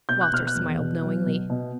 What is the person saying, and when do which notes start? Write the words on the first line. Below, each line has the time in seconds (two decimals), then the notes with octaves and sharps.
Walter smiled knowingly.
0.09 B2 G6
0.21 F#6
0.32 B2 F6
0.47 F#6
0.55 E2
0.78 B2
1.02 F#3
1.26 B2
1.50 B2